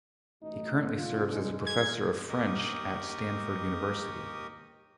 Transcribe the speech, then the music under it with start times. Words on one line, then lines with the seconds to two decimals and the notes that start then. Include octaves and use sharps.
He currently serves as a Professor of French at Stanford University.
0.42 A1 B2 A3 D#4
0.96 C3 D4 F4
1.32 G#3
1.67 G#6
2.29 D#2 G4 A#4 D#5 C#6 D#6